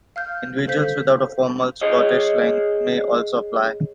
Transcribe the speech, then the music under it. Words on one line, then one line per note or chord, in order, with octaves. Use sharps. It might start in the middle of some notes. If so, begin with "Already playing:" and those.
Individuals without a formal Scottish link may also apply.
F5 F6 G6
A4 C5 F5 G6 B6
G#4 C#5 D#5